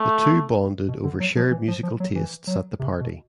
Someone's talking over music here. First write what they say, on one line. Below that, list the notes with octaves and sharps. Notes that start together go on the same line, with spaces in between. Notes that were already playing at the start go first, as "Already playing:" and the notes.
The two bonded over shared musical tastes at the party.
Already playing: A3
B2
D3
F#3
F3
E3
F3
F3
F#3
E3
F#3
C3
B2